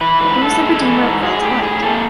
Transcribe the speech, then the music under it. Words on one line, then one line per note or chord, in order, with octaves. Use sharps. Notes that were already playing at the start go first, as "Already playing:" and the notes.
Who is the Redeemer of God’s elect?
E3 B4
G#2 B4
G#2 A4
G#3
E3
G#2
F#3 G#4
A2 G4
A2 G#4
A#3 A4